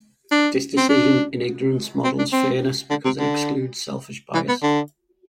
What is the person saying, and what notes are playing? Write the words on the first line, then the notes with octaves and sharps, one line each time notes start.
This decision-in-ignorance models fairness because it excludes selfish bias.
D4
C4
D4
C4
D4
C4
D3
C3
D3
E3
B3
D3